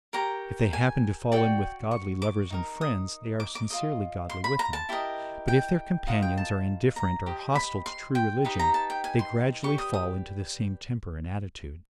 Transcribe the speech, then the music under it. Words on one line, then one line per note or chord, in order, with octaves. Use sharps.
If they happen to fall in with godly lovers and friends, they are sincerely godly with them; but if their companions are indifferent or hostile to true religion, they gradually fall into the same temper and attitude.
G4 A#4 C#5 A#5
G#5
F#4 A4 D5 G5
C#6
D6
D#4 G4 A#4
D#6
D6
D6
F4 A#4 D#5
C6
B5
A#5
A5
E4 G4 A#4 D#5
G5
F4 A#4 D#5 F#5
G5
A5
A#5
G4 C5 D#5
B5
C6
G5
D#4 G4 B4
A#5
A5
G5
G#5
C6
G4 B4 D5 C#6
D#6
D#6